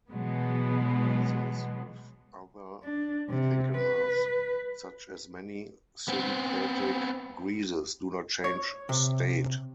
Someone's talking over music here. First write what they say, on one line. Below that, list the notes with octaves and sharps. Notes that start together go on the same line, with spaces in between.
Greases with other thickeners, such as many synthetic greases, do not change state.
B2 E3 F#3 G#3 B3
D4
C3
B4
B3 C4
C#5
C3